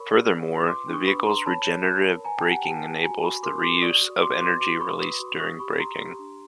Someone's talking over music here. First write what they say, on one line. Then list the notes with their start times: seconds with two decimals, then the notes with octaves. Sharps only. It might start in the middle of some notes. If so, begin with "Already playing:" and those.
Furthermore, the vehicle's regenerative braking enables the reuse of energy released during braking.
Already playing: A#4 C#5 B5 C#6
0.09 D5
0.28 D5
0.48 F4
0.67 B4 C6 D6
0.87 D4
0.94 C#6 D#6
1.07 B4 B5 C#6
1.26 B4 A#5 C6
1.46 C#5 A5 B5
1.66 C#5
1.86 C#5
2.05 A#4
2.25 B4 G#5 A#5
2.38 G5 A5
2.44 G4
2.51 F#5 G#5
2.64 G4 G5 A5
2.84 B4
3.03 F#4 G#5 A#5
3.23 F#4 B5 C#6
3.43 A#4 C6 D6
3.62 F#4 C6 D6
3.82 D5 C#6 D#6
4.02 F#4
4.21 F#4 C6 D6
4.41 B4 C6 D6
4.61 F#4 C6 D6
4.80 B4 B5 C#6
5.00 B4 C#6 D#6
5.20 F#4
5.40 G4 C#6 D#6
5.59 G4 B5 C#6
5.79 G4 A#5 C6
5.99 G4
6.19 D4